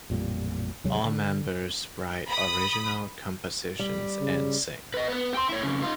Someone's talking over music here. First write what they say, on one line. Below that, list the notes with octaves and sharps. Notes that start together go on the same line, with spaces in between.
All members write original compositions and sing.
A1 F2 A#2 G3
D#2 C3 F#3 G#3
D3
B5 D#6
G3
C#3
B4 D#5
B3 B4
G5 C6
E4 C#5
F2 C#3
D#4 F4